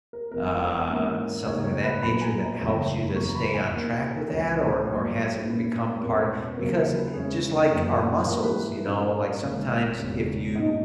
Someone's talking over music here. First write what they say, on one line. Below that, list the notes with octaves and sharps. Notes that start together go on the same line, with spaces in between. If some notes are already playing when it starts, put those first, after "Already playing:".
uh something of that nature that helps you to stay on track with that, or or has it become part because, eh, just like our muscles, you know, like, sometimes if you
A#4
E1 E2 B2 A#4
G#2 E3 A#3 C#4 E4
D#2 C#3 G#3 D#4 C#5
C#5
B4
A#1 A#2 F#3 B3 B5
A#5
G#5
A#5
F#1 E2 C#3 E3 G#3
F#1 E2 C#3 E3 C#6
A#5
B5
G#5
D#2 D#3 A#3 E4
C#2 B2 G#3 C#5
A#1 G#2 F#3 A#3
A#2 A#3 C#4 E4 B4
E2 B2 G#3 C#4 A#4
B4
C#5
D#2 C#3 F#3 C#4 A#4
A#4
B4
E2 C#3 G#3 C#4 E4 G#4
F#2 E3 A#3 E4
G#2 E3 A#3 E4 A#4
B4
A#4
A#2 A#3 C#4 E4 B4
G#1 G#2 E3 A#3 C#5
E1 E2 C#3 G#3
A#2 G#3 C#4 E4 D#5